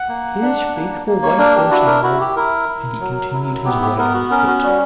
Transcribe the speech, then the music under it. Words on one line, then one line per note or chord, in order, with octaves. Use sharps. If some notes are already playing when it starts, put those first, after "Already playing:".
His faithful white horse died, and he continued his way on foot.
Already playing: F#5
A#3
D4
A#3
A#3
C#5
D4 A#4
G4
E4 F#4
A#4
E4 F#4
G4
E4 A#4
E4
F#3
E4
B3 G4
G4
B3 A#4
F#4
C#4 A#4
F#4
G3 F#4